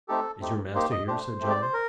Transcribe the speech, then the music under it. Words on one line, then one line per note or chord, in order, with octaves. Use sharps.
'Is your master here?' said John.
A3 C4 D#4 G4 A4
A3 C4 D#4 G4
A#3 D#4 G4 C5
D#5
A3 D4 G4 C5
A3 C4 G4
D5
C5
A#4